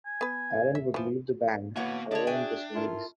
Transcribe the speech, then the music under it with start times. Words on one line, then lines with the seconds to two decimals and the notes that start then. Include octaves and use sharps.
Allen would leave the band following this release.
0.06 G#5
0.21 B3 B4
0.75 E5
0.94 E3 F3
1.76 A2 A#3 B3 F#4 B4 C#5 F#5
2.11 D3 D4 G#4 C#5 D#5 A5
2.27 F#4 E5 G5 G#5
2.75 E4 F4 A4 A#4